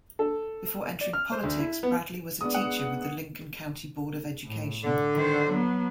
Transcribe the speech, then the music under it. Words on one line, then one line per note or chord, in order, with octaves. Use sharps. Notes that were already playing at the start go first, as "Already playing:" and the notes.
Before entering politics, Bradley was a teacher with the Lincoln County Board of Education.
A4
D5
F6
C5
D2
E4
B3
G#3 B3 D4 D#6
F#5
A2
D3
D#3 C5
F#3 B3